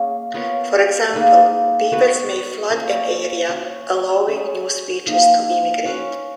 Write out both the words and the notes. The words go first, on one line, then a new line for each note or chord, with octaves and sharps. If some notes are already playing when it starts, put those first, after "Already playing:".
For example, beavers may flood an area, allowing new species to immigrate.
Already playing: A#3 C#4 G#4
B3 F4 A#4 C#5
A#3 D#4 G#4 B4
B3 F#4 B4
A#3 C#4 F4
C#4 F#4 A#4
C#4 G#4 C#5
F3 A#3 D#4
C#4 F#4 B4 F5